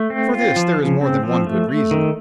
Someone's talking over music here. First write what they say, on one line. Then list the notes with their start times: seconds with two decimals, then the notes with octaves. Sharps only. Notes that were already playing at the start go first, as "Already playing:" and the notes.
For this there is more than one good reason.
Already playing: A3
0.10 C4
0.34 F4
0.56 F3
0.78 C#3
1.01 C4
1.23 F3
1.47 A3
1.69 A3
1.91 D#3